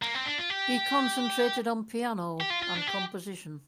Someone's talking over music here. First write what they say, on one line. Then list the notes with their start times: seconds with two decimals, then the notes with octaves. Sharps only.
He concentrated on piano and composition.
0.03 A#3
0.15 C4
0.26 D4
0.38 F4
0.50 G4
2.41 G4
2.50 F4
2.62 F4
2.75 D4
2.87 G4